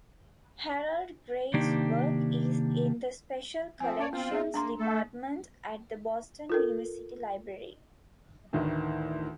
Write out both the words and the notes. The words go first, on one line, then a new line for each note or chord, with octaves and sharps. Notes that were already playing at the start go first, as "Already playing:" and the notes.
Harold Gray's work is in the Special Collections Department at the Boston University Library.
C3 D#3 A#3 D4 D#4 G4
F3 C4 G5 G#5
C#4 C#5 D5
B3 C4 F4
G#4 E5
A#3 D4 A#5 C6
A3 A4
F4 A4 A#4
D2 A2 D#3 E3